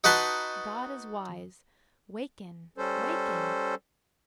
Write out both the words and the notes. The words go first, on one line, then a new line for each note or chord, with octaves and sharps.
God is wise. Waken, waken!
D#4 F#4 B4 A5 C6
G3 C#4 A4 C5